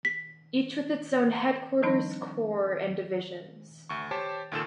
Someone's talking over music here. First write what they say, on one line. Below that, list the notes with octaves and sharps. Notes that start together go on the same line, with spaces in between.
Each with its own headquarters, corps, and divisions.
B6
D#3 F3 G3 C4 D4 D#4
D2 C#6
G4 C5 C#5 A5
C#2 A#2 D#3 F4 A4 E7